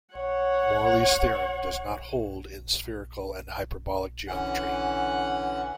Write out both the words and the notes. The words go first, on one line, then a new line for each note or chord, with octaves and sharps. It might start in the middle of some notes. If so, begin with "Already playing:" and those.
Morley's theorem does not hold in spherical and hyperbolic geometry.
C#5 F#5
D3 E3 C#4 F#5 F#6